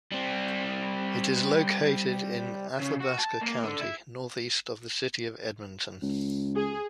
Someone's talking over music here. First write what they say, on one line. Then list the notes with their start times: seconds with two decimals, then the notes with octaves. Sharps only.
It is located in Athabasca County, northeast of the City of Edmonton.
0.12 G3 C4
2.80 C#3
3.00 F#4
3.19 A5
3.41 A#3
3.64 D3
3.81 E4
6.02 C#2
6.56 G#4